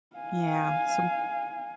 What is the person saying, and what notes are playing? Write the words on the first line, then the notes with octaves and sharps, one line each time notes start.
yeah, so
F5 G#5